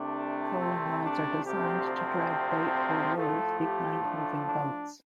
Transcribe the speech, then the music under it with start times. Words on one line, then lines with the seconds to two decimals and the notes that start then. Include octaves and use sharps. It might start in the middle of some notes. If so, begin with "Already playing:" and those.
Trolling rods are designed to drag bait or lures behind moving boats.
Already playing: C2 C3 A3 D4
0.59 C4
1.02 D4
1.44 D2 C3 F3 C4 G4
3.16 A2 F3 A3 A4
3.59 G4
4.02 D4
4.45 D4